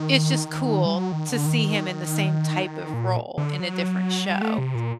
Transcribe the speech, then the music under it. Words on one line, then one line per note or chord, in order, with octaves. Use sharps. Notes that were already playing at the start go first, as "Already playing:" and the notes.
it's just cool to see him in the same type of role in a different show,
Already playing: D#3
G3
F#3
D#3
D3
D#3
A#2
D3
F#3
G3
A3
C3
A#2